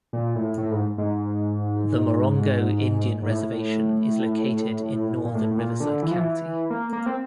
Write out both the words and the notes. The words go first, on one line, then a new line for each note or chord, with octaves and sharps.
The Morongo Indian Reservation is located in northern Riverside County.
A#2
A2
A2
G#2
G#2
G#2
A2
A#2
A2
A2
A#2
D3
E3
F3
E3
A#3
A#3
C4